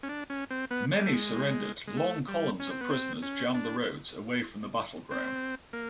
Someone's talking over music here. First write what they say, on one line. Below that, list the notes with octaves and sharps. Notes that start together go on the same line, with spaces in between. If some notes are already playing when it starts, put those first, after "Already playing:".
Many surrendered-long columns of prisoners jammed the roads away from the battleground.
C#4
D4
C#4
C4
B3
G3
A3
G#3
G#3
A3
G3
C#4
C4
B3
C4
C#4
D4
C4
A#3